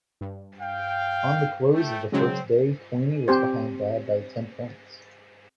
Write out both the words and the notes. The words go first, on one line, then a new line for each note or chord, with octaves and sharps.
On the close of the first day Queenie was behind Dod by ten points.
G2
F5 G5
A3 G5
C#3 F#3 G#3 C4
C4 G4 C5